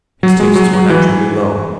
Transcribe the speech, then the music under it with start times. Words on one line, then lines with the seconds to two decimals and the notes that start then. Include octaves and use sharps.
His tastes were naturally low.
0.23 F#3
0.40 G#3
0.56 F#3
0.73 F#3
0.90 E3